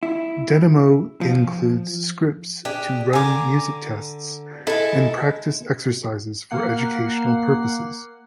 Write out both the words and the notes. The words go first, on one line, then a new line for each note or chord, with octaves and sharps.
Denemo includes scripts to run music tests and practice exercises for educational purposes.
E4
F3
D4 G4 G#4
D3 G#5 A#5 D6
G#2 G#3 E4 A4
A#3 F#5 C7